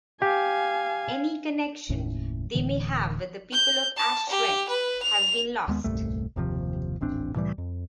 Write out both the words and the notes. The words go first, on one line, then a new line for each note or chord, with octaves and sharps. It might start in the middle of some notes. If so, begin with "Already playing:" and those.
Any connection they may have with the people of Ashret has been lost.
G4 F5 G#5
F#1 D#2 A2 C#4
D1 A2 D3 E3
G6
A5
G4
B4
F7
D#2 G#3 B3
D#1 C2 G2 A3
F#1 D#2 C3 F3
D#1 A1 C4 D4
C2 A2 E3 G3
F2